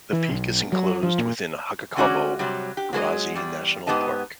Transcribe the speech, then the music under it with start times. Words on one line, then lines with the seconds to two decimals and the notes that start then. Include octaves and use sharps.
The peak is enclosed within Hkakabo Razi National Park.
0.13 E3
0.31 B1
0.72 F#3
1.03 F3
1.18 A#2
1.96 D3 G#3 C#4 F#4 D5
2.39 C3 F#3 G3
2.77 G4
2.93 F#3 G#3 C5 D#5
3.35 E2 G3
3.87 G#2 B3 G4 D#5 A5